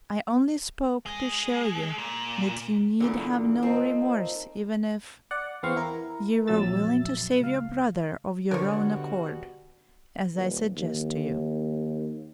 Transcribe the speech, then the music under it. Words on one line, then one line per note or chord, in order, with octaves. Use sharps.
I only spoke to show you that you need have no remorse even if... you were willing to save your brother of your own accord, as I suggest to you.
G#3
A#2
E2 A#2 D3
F3 A#3 C4 D#4
D5 F#5
E2 B3 C4 F5 C#6
E4 A#4
A#1 F2 F#3 E5 E6 A6
C#2 F5
B2 D3 G3 F#4 A#4 C#5
D#1
D#2